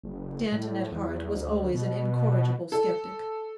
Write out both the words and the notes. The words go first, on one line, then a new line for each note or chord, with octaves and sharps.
Danton at heart was always an incorrigible sceptic.
F#1
A2
E2
D2
B2
A4